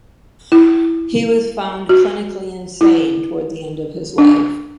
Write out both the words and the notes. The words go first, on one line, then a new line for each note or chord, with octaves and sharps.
He was found clinically insane towards the end of his life.
E4
F#4
E4
D4